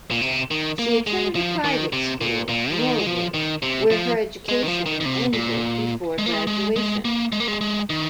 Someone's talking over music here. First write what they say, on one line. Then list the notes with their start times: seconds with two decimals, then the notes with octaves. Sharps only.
She attended a private school, Norwood, where her education ended before graduation.
0.11 A#2
0.21 C3
0.51 D#3
0.79 A#3
1.07 G#3
1.35 F3
1.65 D#3
1.93 C3
2.21 A#2
2.49 A#2
2.72 F3
2.78 D#3
2.99 G#3
3.07 F3
3.34 D#3
3.62 C3
3.91 F3
4.49 G#3
4.63 D#3
4.68 F3
4.86 D#3
5.01 D#3
5.05 C3
5.33 A#2
6.18 G#3
6.26 A#3
6.33 G#3
6.47 G#3
6.76 G#3
7.05 A#3
7.32 G#3
7.40 A#3
7.48 G#3
7.61 G#3
7.90 D#3